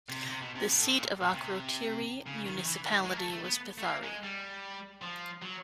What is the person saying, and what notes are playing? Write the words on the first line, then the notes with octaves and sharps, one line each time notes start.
The seat of Akrotiri municipality was Pythari.
C3
C3
B2
C3
B2
A2
A#2
A#2
C3
C#3
D#3
D#3
E3
D#3
G#3
A#3
A3
A3
B3
A3
A#3
G#3
G3
F3
F#3